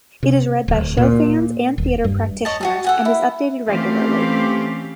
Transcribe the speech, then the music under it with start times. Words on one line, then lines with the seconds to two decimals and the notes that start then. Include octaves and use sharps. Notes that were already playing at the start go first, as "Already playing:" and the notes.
It is read by show fans and theatre practitioners, and is updated regularly.
0.23 C3
0.68 D1
0.97 A#2
1.78 D#1
2.04 G2
2.45 C#5 D#5 A5
2.61 F#4 G#4 A5
2.84 A4 F#5 G#5
3.05 E4
3.68 E3 A3 C4 C#4 G4 F5